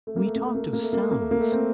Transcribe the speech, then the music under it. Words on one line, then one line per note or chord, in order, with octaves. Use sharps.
We talked of sounds.
A3
A#3
A3
A#3
A3
A#3
A3
A#3
A3
A#3
A3
A#3
A3
A#3
A3
C4